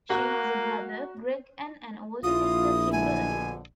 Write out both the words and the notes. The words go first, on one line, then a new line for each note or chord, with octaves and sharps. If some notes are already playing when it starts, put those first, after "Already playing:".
She has a brother, Gregg, and an older sister, Kimberlee.
A#3 F#4 A#5 F#6
A#1 E4 F4 D#6
F2 B2 D3 G#5